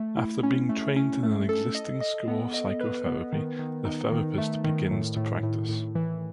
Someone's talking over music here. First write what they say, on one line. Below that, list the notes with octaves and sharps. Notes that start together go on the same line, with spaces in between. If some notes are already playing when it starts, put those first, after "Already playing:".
After being trained in an existing school of psychotherapy, the therapist begins to practice.
Already playing: A3
E4
C#4
A3
C#4
A3
A4
D#5
D#5
B3
D#5
B4
B3
D#3
D#3
D#4
D#3
A3
D#3
A2
A2
A2
A2
E3